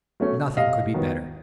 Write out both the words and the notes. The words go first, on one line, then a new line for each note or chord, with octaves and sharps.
Nothing could be better.
F#3 A3 C#4
C3 D#5 F5
D#3 F#3 B3